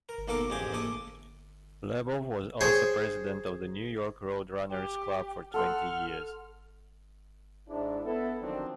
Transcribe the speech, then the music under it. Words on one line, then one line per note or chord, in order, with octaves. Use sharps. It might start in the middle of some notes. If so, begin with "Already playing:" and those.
Lebow was also president of the New York Road Runners Club for twenty years.
A#4
B1 A#3 A4 A#4 D6
A1 F2 G4 G#4 D6
A#1 A4 D6 D#6
G#4 C5 C#5 G5
G4
A4 F#5 C6 E6 F6
G#2 D4 E4
B3 E4 A4
D3 D#3 F3 F#3 C4 D4